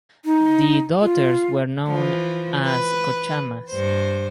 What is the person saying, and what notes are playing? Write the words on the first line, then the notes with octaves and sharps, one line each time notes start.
The daughters were known as "Kochammas".
D#4
F4
E3 F3
B4
G2 C5